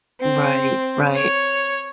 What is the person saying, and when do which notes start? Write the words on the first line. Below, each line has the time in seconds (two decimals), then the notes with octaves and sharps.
Right, right.
0.20 C4
1.15 C#5